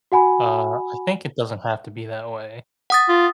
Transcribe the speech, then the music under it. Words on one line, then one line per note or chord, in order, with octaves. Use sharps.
Uh, I think it doesn't have to be that way.
F#4 F#5 G#5 B5
F#5 D#6 A6
F4